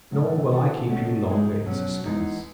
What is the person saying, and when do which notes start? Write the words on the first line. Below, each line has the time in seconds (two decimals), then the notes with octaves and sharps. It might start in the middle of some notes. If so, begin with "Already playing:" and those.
Nor will I keep you longer in suspense.
0.11 A2 F#3 A3 E4
0.50 E3 B3 F#4 A4
0.88 B2 A3 C#4 F#4
1.27 G#3 D#4 G#4
1.65 B2 F#3 C#4
2.05 E3 G#3 B3 D#4 G#4